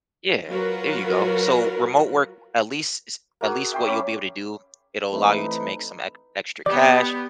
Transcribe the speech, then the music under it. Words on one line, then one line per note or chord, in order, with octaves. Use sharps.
Yeah, there you go. So, remote work, at least is at least what you'll be able to do, it'll allow you to make some ec extra cash
F#3 F4 F#4 A#4 B4
A#3 F#4 G#4
E5 G5 C6
C#4 E5 B5 D6
E3 A3 C4 D#4 A4 B4
B3 G4 D5 D#5 D6